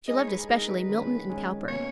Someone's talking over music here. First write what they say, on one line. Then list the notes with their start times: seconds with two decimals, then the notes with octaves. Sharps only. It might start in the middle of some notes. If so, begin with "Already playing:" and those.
She loved especially Milton and Cowper.
0.08 G#3 D#4 G#4 D#5
0.18 C#5
0.28 B4
0.38 G#4
0.49 G#3 D#4 G#4 A#4
0.68 B4
0.89 D#3 G#3 C#4
1.29 D#3 G#3 C#4
1.68 B2 A#3 C#4 C#5